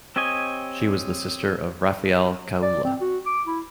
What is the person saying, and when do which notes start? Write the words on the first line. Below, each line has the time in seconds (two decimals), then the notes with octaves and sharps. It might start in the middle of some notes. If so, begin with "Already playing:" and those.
She was the sister of Raphael Kaulla.
0.16 C4 G4 C#5 D#5 G#5
2.62 D5
2.84 C4
3.01 F#4
3.26 D6
3.47 E4